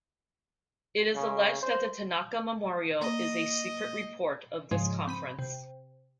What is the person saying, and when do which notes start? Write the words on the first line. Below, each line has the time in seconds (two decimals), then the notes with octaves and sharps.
It is alleged that the Tanaka Memorial is a secret report of this Conference.
1.15 C#3
1.63 C5
3.01 A#3 D#5
4.71 G#2 C#3 F3 G#3
5.07 C4 B5 D#7
5.39 C3